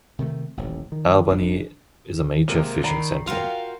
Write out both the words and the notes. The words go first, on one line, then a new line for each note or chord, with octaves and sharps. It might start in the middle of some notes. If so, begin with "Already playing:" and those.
Albany is a major fishing centre.
C3 D#3 A3
D#1 A1
D#3
F#1 C4 D4
C3 G#3 A#3 A#4
D#3 D5 A#5 B5 C7
F4 F#4 A#4 F5 G5 C6